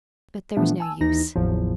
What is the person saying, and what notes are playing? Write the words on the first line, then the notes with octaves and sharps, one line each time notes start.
But there was no use.
A#2 E3 F3 A3 B3 D4
G#5 A5 E6
D#2 E3 D#4 A#6
G#1 E2 A2 F3 F#3